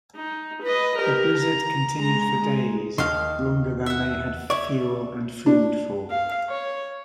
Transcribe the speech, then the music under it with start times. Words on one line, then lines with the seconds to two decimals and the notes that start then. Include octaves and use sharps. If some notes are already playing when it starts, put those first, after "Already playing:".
The blizzard continued for days, longer than they had fuel and food for.
0.16 D#4
0.63 B4 D#5
0.98 G4 A#4
1.37 A#5
1.98 G#3 A#5
2.38 G#3
2.98 D#2 D#3 F5 C6
3.86 E5 F#5
4.50 C#5 D5 E5
5.46 D4
6.10 F5
6.49 C#5